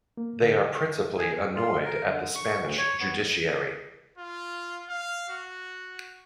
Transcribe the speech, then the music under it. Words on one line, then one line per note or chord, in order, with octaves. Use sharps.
They are principally annoyed at the Spanish Judiciary.
A#3
D3
G#4
F2
F4
A#4
D3
C#6
D2
C#5
B3
F4
F5
F#4